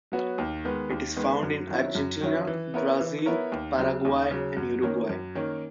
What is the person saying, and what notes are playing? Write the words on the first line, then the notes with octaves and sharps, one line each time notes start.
It is found in Argentina, Brazil, Paraguay and Uruguay.
F#3 B3 F#4 C#5
D#2
D#3 G#3 B3
D#2
D#3 G#3 B3
F#2
D#3 F#3 C#4 E4
F#2
D#3 F#3 C#4 E4
E3
B3 E4 A#4 C#5
E3
B3 E4 A#4 C#5
D#2
C#3 F#3
D#2
C#3 F#3
F#2
D#3 A#3 C#4
F#2
D#3 A#3 C#4